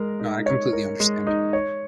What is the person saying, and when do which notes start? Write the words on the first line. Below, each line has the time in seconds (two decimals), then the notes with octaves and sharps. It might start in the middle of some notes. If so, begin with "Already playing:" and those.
No, I completely understand.
Already playing: G#3 A#4
0.20 D#4
0.46 C#5
0.73 A#4
1.00 G#3
1.27 D#4
1.53 C#5